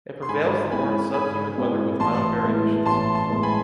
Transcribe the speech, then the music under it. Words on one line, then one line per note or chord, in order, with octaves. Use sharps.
It prevails the warm sub-humid weather with mild variations.
C6
G#2 G#5 B5
G#3 C4 E4 G#5 B5
G#2 G#5 B5
G#3 C4 E4
A1 A5 C6
A2 G#3 B3 E4
A1 A5 C6
A5 C6
A2 G#3 B3 E4
G#5 B5